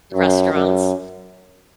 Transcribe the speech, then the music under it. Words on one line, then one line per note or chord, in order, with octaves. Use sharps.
The restaurants.
F#2
F#2